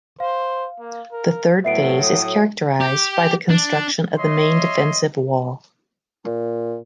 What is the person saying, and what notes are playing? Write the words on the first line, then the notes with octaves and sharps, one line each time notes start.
The third phase is characterized by the construction of the main defensive wall.
C5 F5
A#3
A#4
A2 F#3 B3 E5 C7 D7
D#6
G4
D4
C#5 D#5 E5 C6
A#2